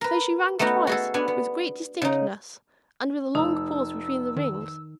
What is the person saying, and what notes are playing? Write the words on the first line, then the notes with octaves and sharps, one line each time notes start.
So she rang twice; with great distinctness, and with a long pause between the rings.
A#4 B4
A3 B3 D#4 F#4
F#4 G#4 A4
B3 D4 G#5
B3
C#3 D#4
F1 D#4 E6
D#3